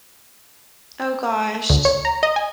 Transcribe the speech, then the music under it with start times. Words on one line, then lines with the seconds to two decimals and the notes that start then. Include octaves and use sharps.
Oh gosh.
1.70 D2
1.85 C#5
2.05 A#5
2.23 D#5
2.36 G#5